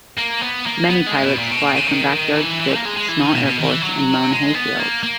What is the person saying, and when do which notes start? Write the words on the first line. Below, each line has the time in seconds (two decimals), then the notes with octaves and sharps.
Many pilots fly from back yard strips, small airports, and mown hay fields.
0.18 A#3
0.41 B3
0.66 A#3
0.89 B3
1.07 G#3
1.23 B2
1.39 A#2
1.51 B2
1.63 A#2
1.75 C#3
1.87 D#3
2.36 E3
2.60 E3
2.74 A#3
2.85 G#3
2.97 G#3
3.08 E3
3.20 D#3
3.33 B2
3.46 B2
3.58 D#3
3.69 E3
3.82 F#3
4.31 G#3
4.55 B3
4.79 A#3
5.03 A#3